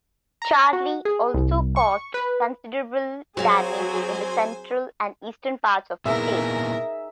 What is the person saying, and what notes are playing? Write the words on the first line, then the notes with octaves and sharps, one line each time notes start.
Charley also caused considerable damage in the central and eastern parts of the state.
A#5
F#4
G#4
C2
C#6
B4
F#3 C4 F#4 G#4 C5 C#5 F5 G#5
A#2 B3 D#4 E4 G#4 A#4 E5